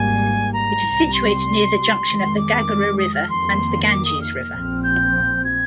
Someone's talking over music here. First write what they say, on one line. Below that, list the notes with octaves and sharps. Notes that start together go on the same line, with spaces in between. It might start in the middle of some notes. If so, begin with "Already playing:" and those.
It is situated near the junction of the Ghaghara River and the Ganges River.
Already playing: G#1 G#2 G3 A#3 G#5
A#5
C2 C3 G3
C6
F2 D#3 G#3
D6
D#6
F6
F2 D#3 A#3 C6
C6
D6
D#6
F6
A#1 A#2 F3 C4
G6
G#6